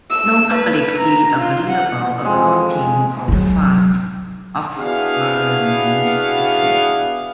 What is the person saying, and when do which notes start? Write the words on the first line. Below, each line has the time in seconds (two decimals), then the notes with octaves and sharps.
No publicly available accounting of fast offerings exists.
0.10 E6
0.54 B4
0.98 A#5
1.38 F4
1.70 F#5
2.25 F2 G#3
3.28 G#2 F#3
4.79 B3 D4 E4 F#4 G#4 F5